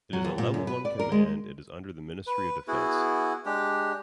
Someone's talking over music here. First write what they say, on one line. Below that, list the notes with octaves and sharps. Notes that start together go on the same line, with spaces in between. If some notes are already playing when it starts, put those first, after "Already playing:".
It is a Level.I command and is under the Ministry of Defence.
F#3
D#2
A#2
F#2
B4
D5
A#4
G#3
B4
B3 E4 F#4 G#4
G#3 D4 G4